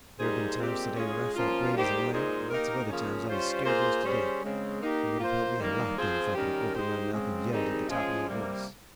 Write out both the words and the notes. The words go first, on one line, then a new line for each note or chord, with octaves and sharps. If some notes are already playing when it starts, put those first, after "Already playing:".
"There have been times today when I felt brave as a lion, and lots of other times I was scared most to death. It would have helped me a lot then, if I could have opened my mouth and yelled at the top of my voice."
G3 A#3 D#4 G#4 C5
A#2 G#3 C4 G4
G#3 C#4 F4 G#4
F3 A#3 C#4 F4
G3 A#3 D#4 G4 C5
A#2 G#3 D#4 G#4 C5
A#3 D#4 G4 A#4
C#3 F3 A#3 C#4
G3 C#4 F4 C5
A#3 F4 G#4 C5
G3 C#4 G#4 C5
C#3 G#3 C4
A#3 D#4 G4
A#3 F4 C5
D#3 G3 A#3
F3 C4 F4 G#4 C5
D#3 G3 C#4 G4 A#4
G#3 D#4 G4 C5
C#3 G#3 C4
D#3 G3 C4 D#4 G#4
F3 G#3 C#4 F4 G#4
C3 G3 A#3